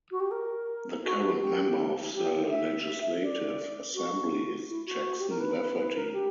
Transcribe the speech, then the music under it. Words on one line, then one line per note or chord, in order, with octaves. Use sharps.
The current Member of the Legislative Assembly is Jackson Lafferty.
F#4
G4
A#4
F#4
G4
G4
E5
D5
F#4
E4
F#4
G4
A#4
B4
B4
B4
A#4
G4